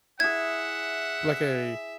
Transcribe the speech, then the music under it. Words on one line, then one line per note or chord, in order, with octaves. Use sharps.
Like a
E4 G#4 E5 F#5 G#6